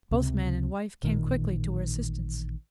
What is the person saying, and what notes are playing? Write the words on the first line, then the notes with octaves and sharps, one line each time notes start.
Both man and wife came quickly to her assistance.
C#2 C3
A1 A#2 D#3